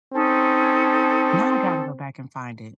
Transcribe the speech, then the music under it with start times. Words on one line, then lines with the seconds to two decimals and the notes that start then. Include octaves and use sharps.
Now I gotta go back and find it.
0.13 C4 C#4 D#4 A4